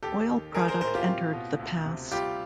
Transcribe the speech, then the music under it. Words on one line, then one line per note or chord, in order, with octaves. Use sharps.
Oil product entered the pass.
D#2 G4 A4
D#3
G#3 G#4 A#4
A#4 C5
A2 A#4 C5
F4 G4
C4
B2
D2
C3
G3 F4 G4